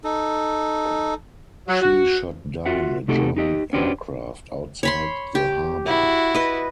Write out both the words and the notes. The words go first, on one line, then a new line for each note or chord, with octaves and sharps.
She shot down a German aircraft outside the harbour.
D#4 A4
F#3
F#4
F4 F#4 E5 F#5
C3 A3 D#4 F#4 G4 A4
D#4 G4 D#5
C#4 D4 F#4 G4 B4 C5
C#5 B5 C6
G4
E4 F#4
B4 D#5